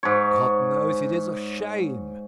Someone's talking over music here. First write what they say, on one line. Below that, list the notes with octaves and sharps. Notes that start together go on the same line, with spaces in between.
"God knows it is a shame!"
G#2 C#5